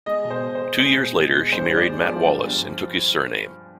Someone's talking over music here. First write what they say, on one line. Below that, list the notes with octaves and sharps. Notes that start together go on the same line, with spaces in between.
Two years later she married Matt Wallace and took his surname.
G#3 D#5
B2
C5
B2
C5
G#3
G#3 C5
B2
B2
G#3
G2 C5
G2
D5
G#3
D5
F3
G2
G2